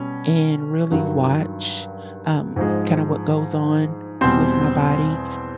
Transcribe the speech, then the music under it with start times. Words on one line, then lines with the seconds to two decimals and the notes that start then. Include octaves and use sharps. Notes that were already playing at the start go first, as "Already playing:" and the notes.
and really watch, um, kinda what goes on with my body,
Already playing: B2 G3 C#4
0.91 G2 D#3 F#3
2.56 G#2 F3 G#3
4.21 E2 B2 G3 C4 C5